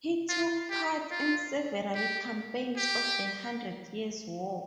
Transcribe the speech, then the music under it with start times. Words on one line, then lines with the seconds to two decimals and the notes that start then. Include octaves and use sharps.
He took part in several campaigns of the Hundred Years War.
0.29 F4
0.70 G4
1.11 F4
1.94 G4
2.77 G4